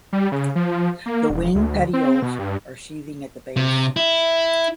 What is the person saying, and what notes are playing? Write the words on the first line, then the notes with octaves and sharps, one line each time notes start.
The winged petioles are sheathing at the base.
G3
C#3
F3
A#3
E1
D2
C4
B2
G2
C3
E4